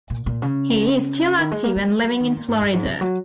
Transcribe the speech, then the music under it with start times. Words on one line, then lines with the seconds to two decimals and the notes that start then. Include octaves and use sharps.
He is still active and living in Florida.
0.10 A#2
0.26 A#2
0.42 C#3
1.39 D#3
1.51 G#3
1.64 A#3
1.76 A#3
1.88 G#3
2.04 F#3
2.20 D#3
2.37 A#2
2.48 G#2
2.61 F#2
2.73 G#2
2.85 C#3
3.01 F#3